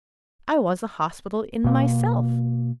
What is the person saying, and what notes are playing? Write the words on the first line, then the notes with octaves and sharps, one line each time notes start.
I was a hospital in myself.
B2 A#3